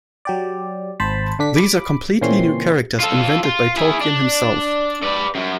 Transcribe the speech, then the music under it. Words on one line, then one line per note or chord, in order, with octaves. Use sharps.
These are completely new characters invented by Tolkien himself.
F#3 G4 D5
G#1 C5 A5 B5
D3 D4 B6
B5 D6
A#2 C#3 E3 C4 C#4 C6
F4 A4
F4
E4 G#4
D4
B4 D5
F#2